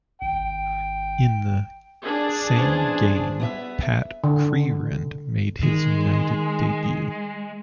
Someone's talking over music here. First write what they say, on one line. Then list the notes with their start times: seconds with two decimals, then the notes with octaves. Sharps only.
In the same game Pat Crerand made his United debut.
0.22 G#1 G5
2.02 D4 G#4
2.55 E2 C#4 C5
3.40 B3 D5 E5
4.24 D3
5.63 D#3 G#3